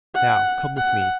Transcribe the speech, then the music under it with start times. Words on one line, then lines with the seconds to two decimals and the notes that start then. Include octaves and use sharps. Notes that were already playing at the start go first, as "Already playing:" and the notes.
Now, come with me.
0.15 F#5
0.77 F#5